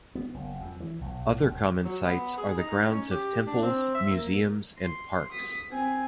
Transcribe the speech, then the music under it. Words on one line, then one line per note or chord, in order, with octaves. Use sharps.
Other common sites are the grounds of temples, museums, and parks.
B3
F#1
F2
E3
B1
F1
F#3
B3
G#4
D#4
C#4
G4
D4
C4
E5
A#3
C6
D#6 B6
C4 G#5